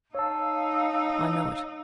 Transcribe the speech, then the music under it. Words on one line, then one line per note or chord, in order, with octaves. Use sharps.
I know it.
D#4 C#5 F5 A5 E6